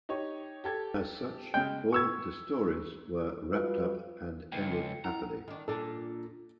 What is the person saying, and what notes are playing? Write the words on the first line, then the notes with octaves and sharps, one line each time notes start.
As such, all the stories were wrapped up and ended happily.
D#4 G4 C#5
G4 A4 G#6
C#3 G#3 G5
C#6 E6 G#6
G3 F4 F#4 B4
C#2 G5 C7 C#7
E4 F#5 A#5
D#3 D4
A#2 D4 A4